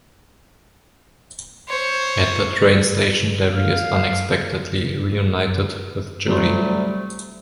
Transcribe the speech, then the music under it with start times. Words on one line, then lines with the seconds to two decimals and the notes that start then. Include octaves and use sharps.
At the train station, Larry is unexpectedly reunited with Judy.
1.69 C5 C#5
3.52 F5
6.27 D2 C3 F#3 G3 A3